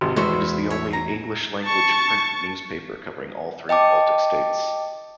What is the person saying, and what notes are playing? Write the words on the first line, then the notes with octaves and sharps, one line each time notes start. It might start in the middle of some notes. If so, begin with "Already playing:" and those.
It is the only English language print newspaper covering all three Baltic states.
G#1 C3
E2 G#3 F#4 C5 E5
C#5 E5
A#5
A5 C#6
D#5 G5 A5 D6